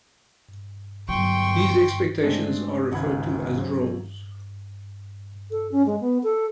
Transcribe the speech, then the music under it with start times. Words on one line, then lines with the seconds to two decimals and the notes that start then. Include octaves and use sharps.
These expectations are referred to as roles.
1.09 G1 F#3 G5 C6 C#6
2.23 G#3 A3 C4 D4
2.91 G#1 C#2 F#5 B5 G#6
3.58 F#3 C4 C#4
5.51 A4
5.72 C#4
5.86 G#3
6.01 B3
6.23 A4